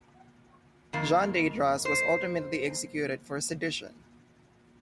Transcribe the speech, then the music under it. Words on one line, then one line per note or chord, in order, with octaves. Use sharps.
John Deydras was ultimately executed for sedition.
F2 D#3 A#3
C5